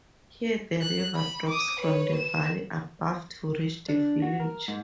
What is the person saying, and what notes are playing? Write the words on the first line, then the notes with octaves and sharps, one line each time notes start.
Here the river drops from the valley above to reach the village.
F#6
B5
D6 D#6
B4 C#5
E7
D4
F#4
A#4
G#2